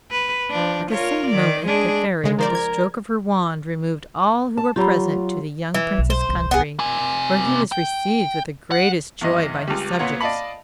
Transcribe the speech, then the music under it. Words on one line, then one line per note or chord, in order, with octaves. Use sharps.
At the same moment, the fairy, with a stroke of her wand, removed all who were present to the young prince's country, where he was received with the greatest joy by his subjects.
B4
F3 D4
F4 A#4 C#5
D#3 D5
G#3 D4 G#4
C#3 G#3
F3 A#4 C5 D5
G#6
A5
F#3 F4 G4 A#5 B5
E3
B1
C5
D#1 C2
B3 G#4
C3 G#5
G5
F#5
E2 G2 D#5
C#2 G3
A#2 B3 F4 C#5 F#5
D5 D#5 F5 A5 B5